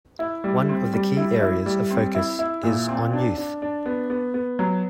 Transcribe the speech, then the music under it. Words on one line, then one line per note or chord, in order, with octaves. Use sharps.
One of the key areas of focus is on youth.
E4
G3
C4
G3
E4
E4
G3
C4
E4
E4
A#2
C4
D4
D4
D4
B3
B3
B3
F#3